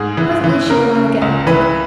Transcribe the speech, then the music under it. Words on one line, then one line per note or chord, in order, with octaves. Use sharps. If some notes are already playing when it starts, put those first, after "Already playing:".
Presently she went on again.
Already playing: G#2 G#4
E3
E3
C#3 A#4
C#3
C#2
E3 B4